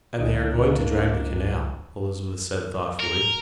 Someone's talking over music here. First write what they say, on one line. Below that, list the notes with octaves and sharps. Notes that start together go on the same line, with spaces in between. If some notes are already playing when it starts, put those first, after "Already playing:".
"And they are going to drag the canal," Elizabeth said thoughtfully.
C#2 D3 A#3 D4 E4 D#5
A#4